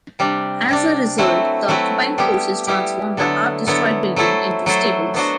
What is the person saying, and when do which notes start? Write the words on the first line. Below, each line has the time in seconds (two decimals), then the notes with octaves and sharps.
As a result, the occupying forces transformed the half-destroyed building into stables.
0.19 C3 G3 D4
0.69 C3 G3 D4
1.18 F#3 A3 C4 E4 B4
1.68 F#3 A3 C4 E4 B4
2.18 G3 B3 E4 G4
2.67 G3 B3 E4 G4
3.17 D3 F#3 B3 E4 A4
3.67 D3 F#3 B3 E4 A4
4.16 F#3 A3 E4 A4 C5
4.66 F#3 A3 E4 A4 C5
5.14 F#3 B3 D4 F#4 C5